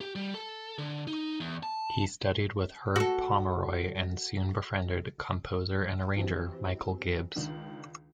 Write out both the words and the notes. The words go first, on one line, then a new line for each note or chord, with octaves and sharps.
He studied with Herb Pomeroy and soon befriended composer and arranger Michael Gibbs.
G4
G3
A4
D3
D#4
E2
A5
F#4 A4
E3 F#3 G3 C4
C#2 D#3 D4